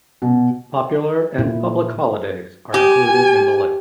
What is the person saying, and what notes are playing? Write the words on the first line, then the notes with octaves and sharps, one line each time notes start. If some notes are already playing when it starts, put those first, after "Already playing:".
Popular and public holidays are included in the list.
B2
A#2 E4
G4 G#5